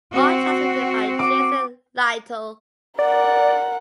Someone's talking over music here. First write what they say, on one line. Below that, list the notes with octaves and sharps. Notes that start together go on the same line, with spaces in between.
All tracks written by Jason Lytle.
C4 F#4
D6
A#4 D5 F#5